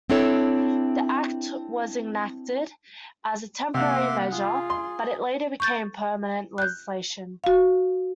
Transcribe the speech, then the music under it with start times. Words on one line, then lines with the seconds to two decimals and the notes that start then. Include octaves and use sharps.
The act was enacted as a temporary measure, but it later became permanent legislation.
0.10 C4 D4 E4 A4 C#5
3.74 C3 A#3 E5 F#5 C6 D6
4.32 F4 G#4
4.70 C6
5.60 C#6 G6 A6
6.58 F#6 G6
7.44 F#4 F5